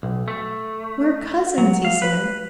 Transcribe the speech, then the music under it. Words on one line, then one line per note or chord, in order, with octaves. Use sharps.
"We're cousins!" he said.
B1
A3
F#3
F5
B4